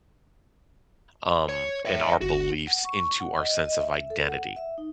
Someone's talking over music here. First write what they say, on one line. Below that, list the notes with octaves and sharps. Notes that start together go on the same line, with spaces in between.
um, and our beliefs into our sense of identity.
C#5
C#5 E5
G1 F#4
F#5
C#6
F#5
D#5
D#5
E5
E5
A4
F#5
E5
D#4